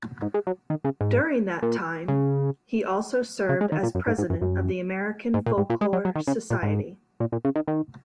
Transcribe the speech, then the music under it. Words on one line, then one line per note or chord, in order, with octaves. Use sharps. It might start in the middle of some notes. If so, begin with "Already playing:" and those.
During that time, he also served as president of the American Folklore Society.
G#2
G#3
F#3
D#3
C#3
G#2
A#2
C#3
C#3
G#3
D#3
A#2
F#2
G#2
G#2
F#2
F#2
G#2
A#2
G#2
A#2
G#3
F#3
F#3
D#3
C#3
A#2
G#2
A#2
A#2
C#3
D#3
D#3